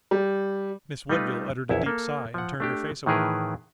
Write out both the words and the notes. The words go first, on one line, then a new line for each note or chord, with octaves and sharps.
Miss Woodville uttered a deep sigh and turned her face away.
G3
G3 A3 D#4 F4 B4
A#1 E2 E4 C#5 E5
A#3 A4
F3 F#5
A3 D4 G4
A2 D#3 E3 G#4 A#4 B4